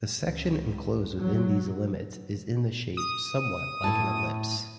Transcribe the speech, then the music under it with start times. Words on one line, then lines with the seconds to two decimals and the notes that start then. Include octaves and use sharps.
The section enclosed within these limits is in shape somewhat like an ellipse.
0.23 C#2
1.20 F#3
2.97 D#6
3.84 A2 E4 A5